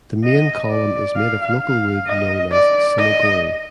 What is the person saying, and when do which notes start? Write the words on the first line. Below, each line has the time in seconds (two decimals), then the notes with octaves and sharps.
The main column is made of local wood known as "cinna gori".
0.24 D#5
0.70 D5
1.16 F5
1.62 F5
2.07 D#5
2.52 D5
2.99 D#5